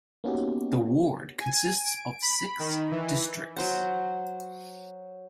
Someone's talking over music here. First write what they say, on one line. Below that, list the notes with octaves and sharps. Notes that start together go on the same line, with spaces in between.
The ward consists of six districts.
A#3 B3 C#4 D#4 F#4 G4
G#5
D7
B5
D#3
E3
F#3 C5 F#5